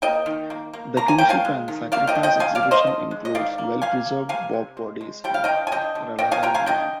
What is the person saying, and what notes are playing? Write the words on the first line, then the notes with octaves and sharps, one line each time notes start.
The Kingship and Sacrifice exhibition includes well preserved bog bodies and Ralaghan Man.
A#3 D#5 G5
D#3
A#3
A#3
A#3 A#5
G#5
A#3 G5
F5 G#5
G#3
D#3
A#3 D5 F5
D#5 G5
D3
D#5 G5
D3 F5 G#5
D5 F5
A#3
C5 D#5
D3
G#3
D#5
D#3 D5 F5
A#3
A#3 F5 G#5
A#3
C3 F5 G#5
C3
G#3
G#3
G3 G5
F5
D3 D#5 G5
G#5
D3 D#5 G5
D3
A#3 D#5 G5
F5 G#5
C3 G5 A#5
F5 G#5
D3 D#5 G5